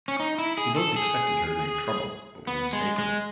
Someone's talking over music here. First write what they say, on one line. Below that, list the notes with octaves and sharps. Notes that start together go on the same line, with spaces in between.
They both expected her to make trouble but were mistaken.
C#4
D#4
E4
G#4
A4
G#4
B3
G#3
G#3